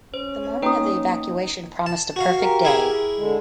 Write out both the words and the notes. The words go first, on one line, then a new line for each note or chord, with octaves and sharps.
The morning of the evacuation promised a perfect day.
C#4 C5
A#3 D#4 B4 G5 D#6
A5
F#4 F5
G4 A#4
E4 G#4
D3 G#3